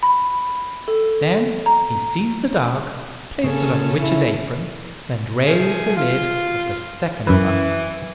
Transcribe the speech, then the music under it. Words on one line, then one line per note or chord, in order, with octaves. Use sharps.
Then he seized the dog, placed it on the witch's apron, and raised the lid of the second box.
B5
A4
A#5
C#3 A#3 C#4 A4
E4
F3 A3 G#4
F4
F#2 E3 B4